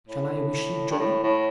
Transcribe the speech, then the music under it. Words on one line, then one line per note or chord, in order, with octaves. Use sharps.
"Shall I wish you joy?"
A2
G2
A2
A2